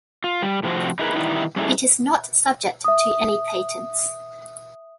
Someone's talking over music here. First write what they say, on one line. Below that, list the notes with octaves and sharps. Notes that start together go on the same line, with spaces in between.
It is not subject to any patents.
F4
G3
A2 C3 F3 A#3 C4 F#4
D#4 E4 G#4 A#4 B4
D#3 E3 G3 B3 D#4 E4
G3 C#4 D#4 E4 G#4 A4
E5 D#6